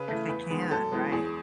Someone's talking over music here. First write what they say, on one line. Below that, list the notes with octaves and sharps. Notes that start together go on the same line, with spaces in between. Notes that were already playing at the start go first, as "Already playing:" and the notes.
If they can, right.
Already playing: C#3 B4
E3 A3
E2 B4
D#3 G#3 B3
F#2 A4
E3 G#3 B3
E2 G#4